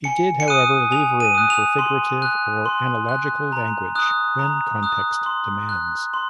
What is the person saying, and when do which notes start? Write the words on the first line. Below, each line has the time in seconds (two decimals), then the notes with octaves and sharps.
He did, however, leave room for figurative or analogical language when context demands.
0.04 G#5 C#7
0.40 C#7
0.48 D#6 F#6 D#7
0.91 G#5 F7
1.20 D#7
1.35 D#6 F#6
1.50 F7
1.79 C6
2.22 F#6
2.66 C6
3.09 F#6
3.52 A#5
3.95 D#6 F#6
4.39 A#5
4.83 D#6 F#6
5.26 C6
5.69 F#6
6.14 C6